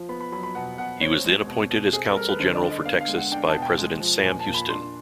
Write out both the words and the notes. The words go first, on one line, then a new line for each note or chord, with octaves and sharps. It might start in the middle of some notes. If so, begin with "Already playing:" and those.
He was then appointed as consul general for Texas by President Sam Houston.
Already playing: F3
B3 B5
B5
F#3 B5
B5
B2 F#5
B2 F#5
C4 C#5
G#3
B2
B2
C4 G#4
A4
G3 A#4
B4
D3 C5
D5
D3
D#5
B3 F5
F5
G#3
F#5
D4 G5
A5
B2
G5
G#3
F3
A#2 G#5
A5
A#2
B5
D4 C6